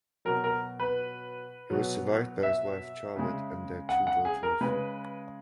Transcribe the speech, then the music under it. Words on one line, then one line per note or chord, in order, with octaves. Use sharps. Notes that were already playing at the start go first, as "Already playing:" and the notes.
He was survived by his wife Charlotte and their two daughters.
B2 F#3 A#4
A#4
B4
B2 F#3
E5
C#3 G#3
F#5
F#5
G#4
A#4
C#3 G#3 B4